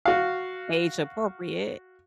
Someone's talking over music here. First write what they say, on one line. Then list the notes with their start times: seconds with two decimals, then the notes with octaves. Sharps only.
age appropriate."
0.05 F#4 F5